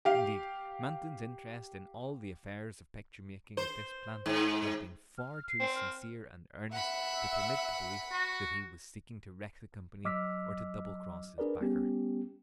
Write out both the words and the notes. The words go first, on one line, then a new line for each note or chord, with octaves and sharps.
Indeed, Manton's interest in all the affairs of picture making at this plant had been far too sincere and earnest to permit the belief that he was seeking to wreck the company or to double-cross his backer.
G4 F5
C5
G#2
F6
C7
C4
F6
E5 F#5 B5
F#4
F#3 D#5 D6 E6 F6 B6
D4 G#4 A#4 B4 D5
G3 B3 C#4 G4